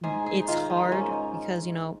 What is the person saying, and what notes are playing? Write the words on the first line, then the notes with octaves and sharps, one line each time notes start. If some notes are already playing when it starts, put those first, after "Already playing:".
mm, it's hard because, you know,
G#2 G#4
G#4
D#4
D#3 F4
D#4
G#2 C#4